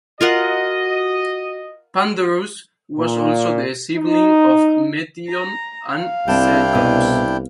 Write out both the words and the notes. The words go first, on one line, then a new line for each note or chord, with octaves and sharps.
Pandorus was also the sibling of Metion and Cecrops.
F4 F#4 A#4 D#5 F#5
A#2
D#4
A#5
F5
C2 C4 D4 E4 G5 A5
B2